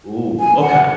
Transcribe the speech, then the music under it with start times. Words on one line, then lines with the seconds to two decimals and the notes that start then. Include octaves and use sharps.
Ooh, okay,
0.40 G#5
0.61 F#5